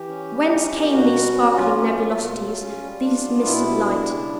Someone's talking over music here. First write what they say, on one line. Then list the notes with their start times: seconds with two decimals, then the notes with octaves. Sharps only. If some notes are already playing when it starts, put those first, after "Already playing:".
Whence came these sparkling nebulosities, these mists of light?
Already playing: E3 G4
0.09 C#4
0.30 G3
0.51 C#4
0.72 A#3
0.93 B2 F#4
1.14 G3
1.35 C#4
1.56 F#3 F4
1.77 C#4
1.87 F4
1.98 A#3
2.19 B2
2.40 F#3
2.61 C#4
2.83 G3
3.03 D4
3.25 B3
3.45 B2 E4
3.66 G3
3.88 D4
4.09 C#3